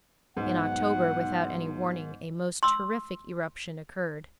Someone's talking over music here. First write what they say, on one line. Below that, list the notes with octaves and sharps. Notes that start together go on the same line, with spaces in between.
In October, without any warning, a most terrific eruption occurred.
B1 G#2 F#5
C6 E6